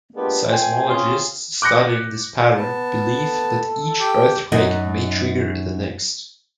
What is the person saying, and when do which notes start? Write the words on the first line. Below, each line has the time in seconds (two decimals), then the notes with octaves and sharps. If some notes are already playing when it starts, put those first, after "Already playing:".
Seismologists studying this pattern believe that each earthquake may trigger the next.
0.15 G#3 A#3 B3 D4 F4 G4
0.49 A#2 A3 C4 G5 G#5
0.87 C4 C#4 F4 G#4
1.62 D6 F#6 G6 A#6 C#7
2.56 B3 A5
3.13 A4
4.00 G4 G5
4.52 F#2 D#4